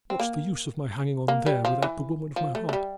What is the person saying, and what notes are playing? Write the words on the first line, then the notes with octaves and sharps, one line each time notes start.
What's the use of my hanging on there without the woman of my heart?
C4
A#3
A#3
G3
F3
E3
F3
A3
A3
G3